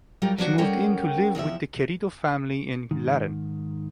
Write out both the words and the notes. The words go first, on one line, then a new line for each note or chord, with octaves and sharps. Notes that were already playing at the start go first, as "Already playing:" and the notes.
She moved in to live with the Querido family in Laren.
F#3 G3 F4 G4 A#4
F3 F#3 D4 F#4
G3 C#4 A4 A#4 F#5 G5
E2 C3 F3 E5
G#2 D#3